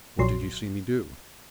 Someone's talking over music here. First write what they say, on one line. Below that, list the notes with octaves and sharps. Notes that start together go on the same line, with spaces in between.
"What did you see me do?"
A#1 F#3 C6